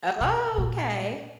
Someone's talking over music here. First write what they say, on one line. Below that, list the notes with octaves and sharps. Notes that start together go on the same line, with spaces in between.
Oh, okay,
B2
A#2